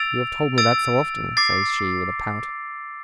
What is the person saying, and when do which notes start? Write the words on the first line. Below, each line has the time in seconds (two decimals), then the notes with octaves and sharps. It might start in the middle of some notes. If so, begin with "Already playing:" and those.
"You have told me that so often," says she, with a pout.
Already playing: E6 A6 D7 F7
0.58 E6 A6 D7 F7
1.37 D6 A6 C7